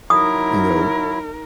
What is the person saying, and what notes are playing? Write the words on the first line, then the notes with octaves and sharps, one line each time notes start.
you know,
F#3 D#4 E4 A#4 D#6